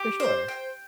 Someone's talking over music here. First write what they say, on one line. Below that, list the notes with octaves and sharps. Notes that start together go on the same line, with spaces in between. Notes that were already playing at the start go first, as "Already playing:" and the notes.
For sure.
Already playing: G4
C5
G5